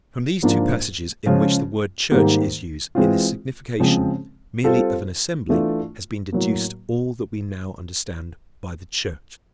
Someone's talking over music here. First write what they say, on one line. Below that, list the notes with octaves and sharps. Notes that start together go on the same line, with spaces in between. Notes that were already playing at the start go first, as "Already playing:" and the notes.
From these two passages in which the word church is used, in the signification merely of an assembly, has been deduced all that we now understand by the Church.
G#2 F3 A#3 D4 F4
C#3 F3 G#3 C#4 F4
G#2 D#3 G3 A#3
E3 G#3 C4 F4
C#3 F3 G#3 C4
G3 C4 F4 A4 C5
E3 A3 D4 F4
A2 F#3 A#3